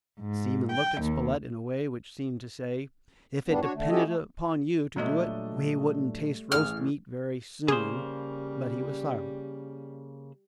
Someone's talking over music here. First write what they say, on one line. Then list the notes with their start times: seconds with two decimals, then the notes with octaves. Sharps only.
The seaman looked at Spilett in a way which seemed to say, "If it depended upon you to do it, we wouldn't taste roast meat very soon"; but he was silent.
0.20 G#2
0.72 G5
1.02 D#2
3.48 E2 G2 G3 B3 D4
3.61 D4 F#4 C#5
3.74 D3 A3
3.90 C#4 E4 F#4 G4 A4 D#5
4.04 A3
4.96 A#2 F#3 G3 A3 D4 F#4 D#5
6.52 A1 A2 G#4 F6
7.68 C#3 G3 A#3 G#4 C5